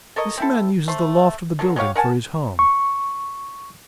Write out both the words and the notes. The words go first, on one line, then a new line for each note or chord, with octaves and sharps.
This man uses the loft of the building for his home.
A4 A#4 C#5 D#5
C4 E4 A4
A3 C5
D3 F#3 A#3
F#3 G4 C#5 F5
A#4 F#5 G#5 A5
C#6